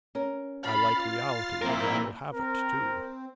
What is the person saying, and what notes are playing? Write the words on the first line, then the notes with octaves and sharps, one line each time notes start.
I like reality, and I will have it too.
C#4 A#4
B5 F6 A6 C7
F4
A#2 F3 A#3 C4 E4 A#4
C4 A#4